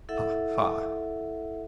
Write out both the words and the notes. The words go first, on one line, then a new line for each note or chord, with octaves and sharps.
Ha, ha!
E4 A4 E5 F#5